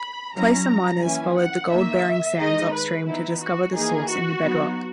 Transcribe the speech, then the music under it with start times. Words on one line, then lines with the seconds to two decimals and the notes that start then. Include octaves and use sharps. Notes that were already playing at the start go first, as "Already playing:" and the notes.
Placer miners followed the gold-bearing sands upstream to discover the source in the bedrock.
Already playing: B5
0.35 F#3 C#4 E4 A#5
1.03 E3 A#3 C#4 E4 G#5
1.37 F#5
1.71 D#3 A#3 D#4 E5
2.39 D#3 G#3 D#4 D#5
2.73 B4
3.07 E3 B3 D#4 E4
3.41 F#4
3.74 E3 A#3 D#4 G#4
4.09 F#4
4.43 F#3 B3 D#4